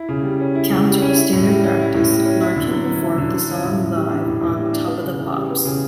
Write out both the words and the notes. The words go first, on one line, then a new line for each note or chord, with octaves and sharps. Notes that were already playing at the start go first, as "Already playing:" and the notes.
Counter to standard practice, Larkin performed the song live on "Top of the Pops".
Already playing: E4
C#3
G3
C#4
E4
C#3
G3
C#4
E4
A2
G3
C#4
E4
A2
G3
C#4
E4
D3
F#3
C#4
E4
D3
F#3
C#4
A2
A2
G3
D4
A2
A2
G3
D4
B3
C#3
E3
G3
B3
C#3